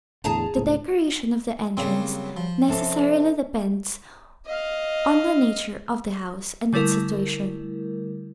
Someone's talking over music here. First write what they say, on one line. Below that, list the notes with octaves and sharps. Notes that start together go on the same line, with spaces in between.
The decoration of the entrance necessarily depends on the nature of the house and its situation.
E2 A2 D3 G#4 A5 A#5
C#2 A2
C#3 F#3 G3 A#3 C4
F3
C3 C#4 A4
D#5 F5
D3 G3 A3 E4 A#4